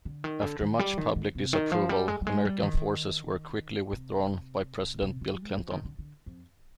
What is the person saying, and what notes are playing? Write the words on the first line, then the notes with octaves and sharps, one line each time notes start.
After much public disapproval, American forces were quickly withdrawn by President Bill Clinton.
D3
D#3
D3
D#3
G3
D#3
D#3
C3
D#3
F3
G3
G#3
G3
G#3
G3
D#3
C3
C3
D3
G#3
F3
D#3
D3
D3
F2